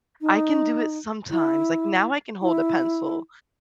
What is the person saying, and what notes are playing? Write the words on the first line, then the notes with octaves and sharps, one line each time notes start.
I can do it sometimes, like, now I can hold a pencil,
D#4
E4
E4